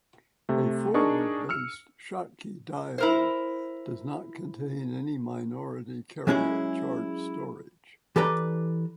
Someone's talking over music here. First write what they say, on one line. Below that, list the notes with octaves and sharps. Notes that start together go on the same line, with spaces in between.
A forward-biased Schottky diode does not have any minority carrier charge storage.
C3 A3
D4 D#4 G#4 A#4 A5 C#6
E6 F6 C#7
E4 A#4 C5
F#3 G#3 C#4 E4 G#4
E3 G4 A4 B4 D5 A#5